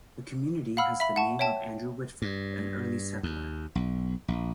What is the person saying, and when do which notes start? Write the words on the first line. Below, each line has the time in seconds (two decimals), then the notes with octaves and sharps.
The community has the name of Andrew Whitford, an early settler.
0.77 F5 F#5 B5 E6 F6
1.00 E5 B5
1.16 F#5 A5 C#6
1.39 C#5 E5 G5 A5
2.22 G2
3.23 D#2
3.75 B1
4.28 A#1